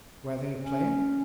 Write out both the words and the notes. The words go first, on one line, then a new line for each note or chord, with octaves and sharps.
"Where they are playing?"
C#4